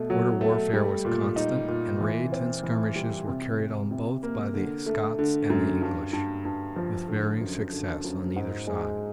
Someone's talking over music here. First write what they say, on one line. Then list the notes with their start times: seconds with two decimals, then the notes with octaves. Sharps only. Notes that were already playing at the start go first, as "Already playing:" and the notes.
Border warfare was constant and raids and skirmishes were carried on both by the Scots and the English, with varying success on either side.
Already playing: B2 A3
0.10 F#3
0.41 A3
0.73 G3
1.05 A#2
1.36 D#4
1.68 A#2
2.01 E3
2.32 C4
2.63 E3
2.96 G3
3.28 C3
3.59 C3
3.91 C3
4.23 A#3
4.54 D3
4.86 A3
5.19 D3
5.50 F#2
5.81 G2
6.13 G2
6.45 G2
6.76 F3
7.08 D3
7.41 F#2
7.72 D3
8.04 F#2
8.36 G#2
8.67 G#3